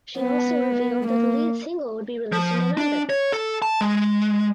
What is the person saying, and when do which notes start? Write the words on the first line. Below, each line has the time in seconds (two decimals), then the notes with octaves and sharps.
She also revealed that the lead single would be released in November.
0.20 B3
1.07 A#3
2.32 F3
2.77 D4
3.10 C#5
3.32 A4
3.62 A5
3.81 G#3